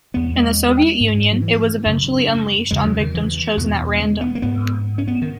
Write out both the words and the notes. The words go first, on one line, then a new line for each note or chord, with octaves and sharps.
In the Soviet Union, it was eventually unleashed on victims chosen at random.
E2 B2 B3
G#3
G#2
F#3
E3
F#2 C#3
E2 C#3 G#3
F#3
D#3
E3
E2 B2
G#3
B3
A#3
G#2 B3
C#4
B3
D#3